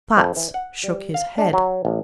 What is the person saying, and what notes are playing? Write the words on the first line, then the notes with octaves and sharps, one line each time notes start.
Platts shook his head.
F2
E3
F#5
G3
F5
D4
F#3
A1